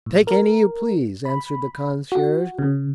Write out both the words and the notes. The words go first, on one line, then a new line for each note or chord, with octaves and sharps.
"Take any you please," answered the concierge.
A2
A#4
B5
F#4
C#3